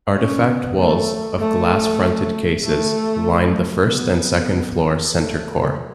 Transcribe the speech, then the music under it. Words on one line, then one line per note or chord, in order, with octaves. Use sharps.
Artifact walls, of glass-fronted cases, line the first and second floor center core.
C#4
B3
A3
A3
A3
B3
A3